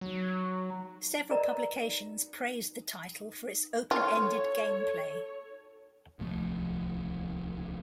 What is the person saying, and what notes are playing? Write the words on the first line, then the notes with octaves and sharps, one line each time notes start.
Several publications praised the title for its open-ended gameplay.
F#3
A#4 B4 D5 D#5 A#5
F4 A4 C#5
D1 C2 F3 A3